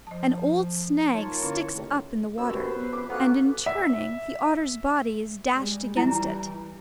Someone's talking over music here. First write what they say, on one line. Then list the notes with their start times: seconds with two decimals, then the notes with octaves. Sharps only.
An old snag sticks up in the water, and, in turning, the otter's body is dashed against it.
0.07 F3 D#5 A5
1.15 A#3 D#4 F4 C#5 A5
1.42 D3 C#4 E4
1.72 C3 D#3 A3
2.38 F#2 C5 E6
2.50 G4 B4 C5
2.76 B3
2.93 F2 D6
3.10 A#3 B3 C#4 F#4 A4 F#6
3.66 E5
5.55 G3 G#3
5.97 E3 G3 E4 A#5